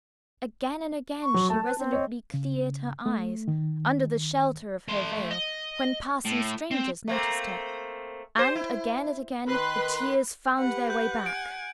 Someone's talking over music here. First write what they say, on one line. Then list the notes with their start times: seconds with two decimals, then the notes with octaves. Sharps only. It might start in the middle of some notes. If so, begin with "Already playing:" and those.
Again and again she resolutely cleared her eyes, under the shelter of her veil, when passing strangers noticed her; and again and again the tears found their way back.
1.23 C#6
1.34 F#3
1.50 A3 A5
1.64 B4
1.78 C4
1.93 C#5 D#5
2.34 C#3
3.06 A3
3.48 D#3
4.88 A3 C6
5.31 D#5
6.25 A2
6.71 C4
7.08 A3 A#3 C4
8.37 G4 C5
8.55 E4
9.48 D#3 B4 C6 F#6
10.59 G4 B4 F#5
10.90 F#5 G6
11.26 G#5 D7